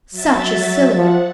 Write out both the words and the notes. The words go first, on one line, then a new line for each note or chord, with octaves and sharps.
Such a silly!
F#3 E5 A6
F3 F#5